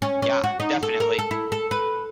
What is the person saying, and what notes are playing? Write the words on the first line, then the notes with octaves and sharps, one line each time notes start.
Ya definitely!
C#4
C#4
F#4
D#4
A4
A#4
A4
E4
A4
B4